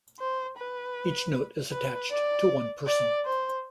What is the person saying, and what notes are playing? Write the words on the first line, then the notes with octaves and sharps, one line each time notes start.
Each note is attached to one person.
C5
B4
B4
D5
D5
C5